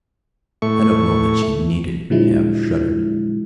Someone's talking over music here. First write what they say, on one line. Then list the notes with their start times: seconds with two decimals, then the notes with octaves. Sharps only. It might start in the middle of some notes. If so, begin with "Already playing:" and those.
I don't know that she need have shuddered.
0.62 A2 A3 C#6
2.10 A#2 D3 F3 F#3 G#3 E4